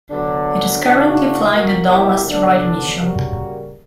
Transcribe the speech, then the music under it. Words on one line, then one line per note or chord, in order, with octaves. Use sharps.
It is currently flying the Dawn asteroid mission.
D3 F#3 B3 D4
C#3 E3 A#3 D4 F#4
B2 A#3 F#4 A#4
E4 G4
D3 F#3 B3 D4
C#3 G3 A#3 F#4 A#4